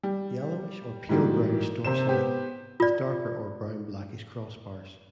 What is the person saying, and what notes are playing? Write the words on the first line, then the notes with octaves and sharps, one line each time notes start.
Yellowish or pale brownish dorsally, with darker brown or blackish crossbars.
G3
G#2 E3 G3 A#3 F#4
C3 C5 E7
B3 G4 C5
F4 D5